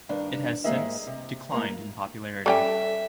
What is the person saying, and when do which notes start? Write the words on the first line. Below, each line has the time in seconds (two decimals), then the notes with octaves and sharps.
It has since declined in popularity.
0.09 G2 D#3 D4
0.64 G#2 G3 A#3 G#4 D#5 E5
1.07 C3
1.52 A2 G#3 A#3 A#5
2.46 G3 C#4 A4 E5 G5